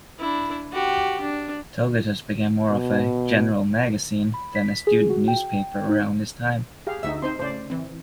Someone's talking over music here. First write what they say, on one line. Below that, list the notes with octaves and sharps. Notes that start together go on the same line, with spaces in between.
Togatus became more of a general magazine than a student newspaper around this time.
D4 E4
F#4 G4
D4
B2
B5
B6
G#4
F#4
G5
D#4
G4 G#4 F5
D2 D#4 E5 C#6 E6
C4 D#4 C5 C6
A2 C#3 C5 D5
E3 C4